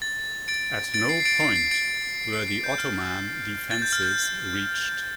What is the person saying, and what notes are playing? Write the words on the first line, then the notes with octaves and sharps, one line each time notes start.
At no point were the Ottoman defences reached.
A6
A6 D7
A6 D7
C7
C7
A6 D7
C7
C7
A6 D7
C7
C7
G6
F6
A6
G6
F6
G6